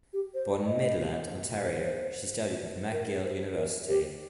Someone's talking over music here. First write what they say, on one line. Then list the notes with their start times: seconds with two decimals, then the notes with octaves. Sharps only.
Born in Midland, Ontario, she studied at McGill University.
0.13 G4
0.34 C5
0.66 D#5
1.63 C5
2.92 A#4
3.24 C5
3.56 A#4
3.88 G4